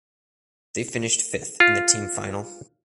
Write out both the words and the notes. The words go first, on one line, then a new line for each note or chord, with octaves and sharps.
They finished fifth in the team final.
F4